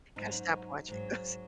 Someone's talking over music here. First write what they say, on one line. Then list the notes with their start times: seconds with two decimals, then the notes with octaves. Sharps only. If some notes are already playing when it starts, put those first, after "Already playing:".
Gotta stop watching those.
0.16 G#2 D#4
0.21 F#3 C#4
0.32 D#4
0.89 G#2 F#3